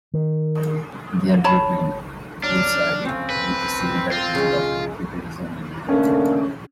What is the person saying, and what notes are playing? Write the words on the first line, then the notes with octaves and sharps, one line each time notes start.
Their movements coincided with a similar trend of populism in Europe.
D#3
C#5 A5 B5
F#3 D4 F6
C4 C#4 F4
B4
F4
C#3 G#3
D3 A3 A#3 C#4